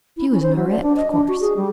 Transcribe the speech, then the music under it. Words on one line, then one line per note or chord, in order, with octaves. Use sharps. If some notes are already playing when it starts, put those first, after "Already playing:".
She was an Aurette, of course.
E4
C#4
C5
F#3
D5
D4
D#5
D4
F#4
G#4
G3